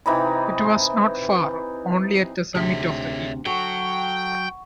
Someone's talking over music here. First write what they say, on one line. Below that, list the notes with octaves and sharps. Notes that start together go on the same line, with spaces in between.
It was not far, only at the summit of the hill.
C3 E3 D#4 B5
D2 C3 C4 G#4 C#5 E5
F#3 A4 F#5 G5 C#6